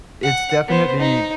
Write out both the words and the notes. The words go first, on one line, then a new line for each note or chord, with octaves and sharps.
it's definitely
F#5
B3 C5
D#4